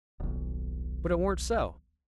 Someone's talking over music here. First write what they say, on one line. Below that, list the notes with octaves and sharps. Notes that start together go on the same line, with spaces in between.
But it warn't so.
D#1 B1